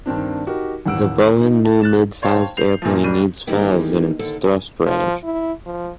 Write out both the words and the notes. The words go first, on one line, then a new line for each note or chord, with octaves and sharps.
The Boeing New Midsize Airplane needs falls in its thrust range.
G2 D#3 C4 D4
D#4 F#4 G4 A#4
A1 D#2 F#5 E6 D7
D#4
A5
F#6 A6 E7
C5 C#5 F5 G5 A5
G6 C7 F7
F#2 A#2 E3 F3
D1 G3 D4 D#7
D#3 E3 G3 A3 A#3 D#4
D#2 D3 A4
G#5
F3
E4
F3